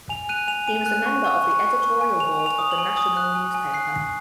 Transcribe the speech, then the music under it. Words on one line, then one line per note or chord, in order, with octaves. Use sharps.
He was a member of the editorial board of the "National" newspaper.
G#5 F7
F#6 D#7
G#5 F7
G#5 D#7
F#6
C#6
C#6
C#6
C#6
C#6
G#5
G#5 F7
G#5
F7
D#6
F#7
G#5
D#6
F#6
G#5
G#5
F#6 C7
G#5